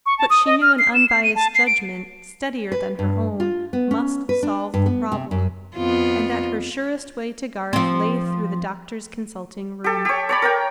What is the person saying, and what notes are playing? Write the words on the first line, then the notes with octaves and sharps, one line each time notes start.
But she knew an unbiased judgment, steadier than her own, must solve the problem; and that her surest way to Garth lay through the doctor's consulting-room.
C#6
A5
D#6
D#5
F6
C7
E7
C7
D#7
A5
C7
D7
B4
G2
F4
B3
C#4
B4
D4
G2
B3
C3
F#2
F2 B3 F4
F3 C4
G4 A4
G4 C#5
C#5 D5 B5
A#4 C#5 G5